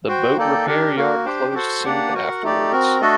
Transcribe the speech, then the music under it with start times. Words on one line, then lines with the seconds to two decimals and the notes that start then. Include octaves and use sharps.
The boat repair yard closed soon afterwards.
0.08 F#4 C5 G5
0.37 A#3 D#4 A4 D5 G5
0.66 D4 G4 A#4
0.96 A#3 F#4 A#4
1.25 D4 G4 C5 G5
1.54 F#4 A4 C5 F#5
1.84 A#3 D4 G4 D5 F#5
2.13 F#4 A#4 F#5
2.43 A3 D#4 G4 D5
2.72 C4 F#4 A#4
3.01 A3 D4 F#4 A4 D#5